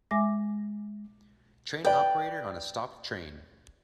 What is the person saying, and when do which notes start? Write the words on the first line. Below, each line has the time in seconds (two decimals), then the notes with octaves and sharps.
Train operator on a stopped train.
0.11 G#3 E5 G#5 D6 A#6
1.85 B4 D5 G5